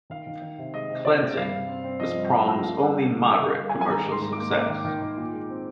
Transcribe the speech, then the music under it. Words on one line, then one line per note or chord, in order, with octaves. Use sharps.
"Cleansing" was Prong's only moderate commercial success.
D#3 F5
D#3
D#3
C3
G#3 D#5
C3
C3 D5
C3
G2 F5
G2
C4
C4
F3 D#5
G2
G2
F3
A#3 F5
G3
G3
D3
G3 D#5
D3
F5
G3
G#5
G3
G#5
D#3 A#5
G#2
C6
G#2
A#3 D6
A#3
D#3
D#3
D#3
A#2
G#3
C4